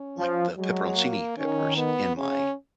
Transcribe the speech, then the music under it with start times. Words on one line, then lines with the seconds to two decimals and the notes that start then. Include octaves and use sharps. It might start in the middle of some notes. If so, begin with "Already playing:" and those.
like, the peperoncini peppers in my,
Already playing: C#4
0.17 F3
0.58 F#3 G#3
0.97 A#3
1.37 D#3 C#4
1.77 B3
2.17 C#3 C#4